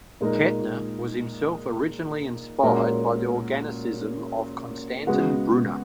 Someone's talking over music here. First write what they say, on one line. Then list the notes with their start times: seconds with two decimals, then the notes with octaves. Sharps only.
Kettner was himself originally inspired by the organicism of Constantin Brunner.
0.21 A#2 G#3 D#4 A#4
2.63 A#2 G#3 C#4 F#4 A#4
5.07 C#3 G#3 B3 F#4